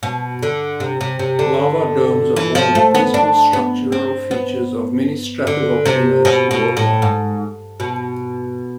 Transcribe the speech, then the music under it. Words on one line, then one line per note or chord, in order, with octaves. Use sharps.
Lava domes are one of the principal structural features of many stratovolcanoes worldwide.
B2
D3
C3
C3
C3
D3
E3
F3
A3
B3
D4
B3
C4
B3
D3
C3
B2
B2
A2
G#2
B2